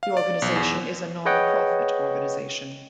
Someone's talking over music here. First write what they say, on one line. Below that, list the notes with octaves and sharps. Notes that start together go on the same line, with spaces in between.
The organisation is a non-profit organisation.
F5
D5
B1
E2
G#4 B4 C#5 D#5 F#5 G5